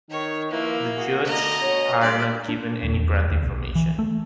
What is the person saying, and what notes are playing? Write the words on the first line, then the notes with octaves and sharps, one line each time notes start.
The judges are not given any brand information.
D#3 C#5
F3 A#3 E4 B4
F#4 G#4
B2 D3 A3 D#5 A#5
B2 C#5
G2 D5 B5 C6
D4
D#1
E2
D2
B1
E3
A3